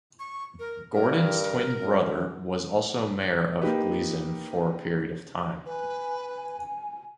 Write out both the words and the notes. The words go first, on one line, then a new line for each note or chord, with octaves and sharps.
Gordon's twin brother was also Mayor of Gleason for a period of time.
C#6
A#4
G2 A#4
F#2
A#3 D#4 G4 B4
B4 G#5